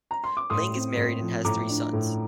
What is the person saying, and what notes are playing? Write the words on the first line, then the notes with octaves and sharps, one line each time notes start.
Ling is married and has three sons.
A#5
C6
D6
A2 C6 D#6
C4
A2
F3
A2 A#5 D6
D4
A2